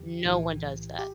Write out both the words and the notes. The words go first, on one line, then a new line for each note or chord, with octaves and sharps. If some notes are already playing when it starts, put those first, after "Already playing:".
No one does that.
Already playing: E2 D3 F#3 G4
B1 A2 E3
G4